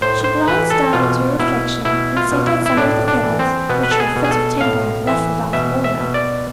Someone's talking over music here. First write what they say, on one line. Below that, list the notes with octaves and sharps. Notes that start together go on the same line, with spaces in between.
She glanced down at her reflection and settled some of the feathers which her fit of temper had ruffled out of order.
A2 C5
C5
E3 B4
A4
B2 F4
B2 E4
B2 E4
F4
B2
E4
E4
A2 D4
D4
E3
C4
B2 B3
B4
A4
G#4
B2
G#4
A4
A2 F5
E3 E5
B2 E5
E5
B2
D5